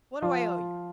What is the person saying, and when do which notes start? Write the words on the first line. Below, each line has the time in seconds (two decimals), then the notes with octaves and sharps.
"What do I owe you?"
0.22 F3 F4